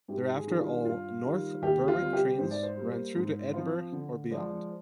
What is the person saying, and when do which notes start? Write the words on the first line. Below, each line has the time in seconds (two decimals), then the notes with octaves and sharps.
Thereafter, all North Berwick trains ran through to Edinburgh or beyond.
0.08 G#2 G4
0.35 G#4
0.47 D#3 G3 D4
0.61 F4
0.85 G2 F4
1.23 D#3 G3
1.62 D#2 G4
1.88 F4
2.01 D3 G3 C4
2.13 G4
2.39 G#2 C5
2.51 D5
2.63 C5
2.77 G3 A#3
3.16 G#2
3.54 F3 C4 F4
3.92 D3
4.30 F3 G#3 D5